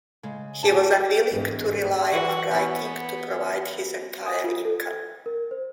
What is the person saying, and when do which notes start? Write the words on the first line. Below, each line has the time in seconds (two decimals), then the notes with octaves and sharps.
He was unwilling to rely on writing to provide his entire income.
0.23 C#3 G#3
0.63 D2 F4 G4 G#5 A5
1.32 E1 G#2
2.12 E3 F#4
2.51 B3 C#4 E4
4.26 D#6
4.44 F4
4.65 A4
4.81 G#6
5.26 A#4
5.51 C5